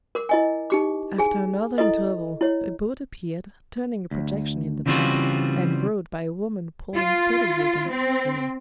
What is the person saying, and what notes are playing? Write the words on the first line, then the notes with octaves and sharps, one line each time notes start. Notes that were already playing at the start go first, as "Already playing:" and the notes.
After another interval a boat appeared, turning a projection in the bank, and rowed by a woman pulling steadily against the stream.
A#4 D6
E4 D#5 G#5
D#4 G4 D6
G#4 G#5
E4 A4 D#5
E4 C#5
D2
C#3 E3 G3 C4 F4 F#4
F4
C4